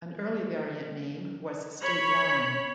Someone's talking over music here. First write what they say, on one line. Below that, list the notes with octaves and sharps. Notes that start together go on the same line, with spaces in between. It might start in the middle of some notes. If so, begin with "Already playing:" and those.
An early variant name was State Line.
C#5 B5